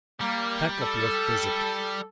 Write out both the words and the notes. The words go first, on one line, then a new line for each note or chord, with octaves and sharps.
Pack up your physic.
G3 A#3
A4